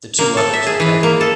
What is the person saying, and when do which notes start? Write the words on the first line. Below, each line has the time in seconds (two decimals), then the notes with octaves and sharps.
The two others are dead.
0.19 A#3
0.37 A4
0.53 E5
0.67 G#4
0.80 E3
1.03 A#3
1.21 A4